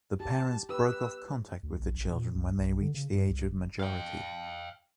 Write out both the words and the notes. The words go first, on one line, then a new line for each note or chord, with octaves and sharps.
The parents broke off contact with the children when they reached the age of majority.
G4 A5
G4 B4 E6
D2
A#1
A1
A#2
C2
B1
D3
C#3
G2
C2
F#1
F5 G5